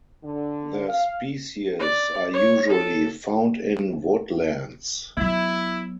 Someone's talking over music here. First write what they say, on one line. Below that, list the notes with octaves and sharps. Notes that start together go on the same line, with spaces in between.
The species are usually found in woodlands.
D3
F5
D5
C#5
A4
F#3 B3 E4